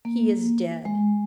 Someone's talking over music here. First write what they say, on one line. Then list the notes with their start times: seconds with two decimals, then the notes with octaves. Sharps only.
He is dead.
0.05 A#3
0.85 G#3